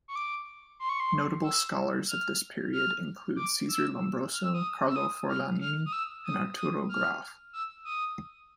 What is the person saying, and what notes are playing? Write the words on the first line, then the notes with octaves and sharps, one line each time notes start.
Notable scholars of this period include Cesare Lombroso, Carlo Forlanini and Arturo Graf.
C#6
D6
C6
C#6
C6
E6
F6
F6
D6
E6
F6
E6
D#6
E6
D#6
F6
F6
D#6
E6
D#6
D#6
F6
E6
D#6